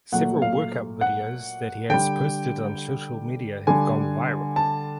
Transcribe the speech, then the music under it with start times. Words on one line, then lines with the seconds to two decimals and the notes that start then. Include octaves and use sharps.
Several workout videos that he has posted on social media have gone viral.
0.12 A#2 F#3 A3 F#5
0.42 F5
1.01 F#5
1.90 D3 G3 G5
3.67 D3 G3 G#5
4.56 A5